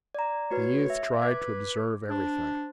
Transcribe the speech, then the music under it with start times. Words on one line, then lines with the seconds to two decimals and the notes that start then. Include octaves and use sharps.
The youth tried to observe everything.
0.15 D5 A#5
0.51 A3 F#4 B4 C#5
0.90 E5
1.22 B4 D6 G#6
2.10 D4 C5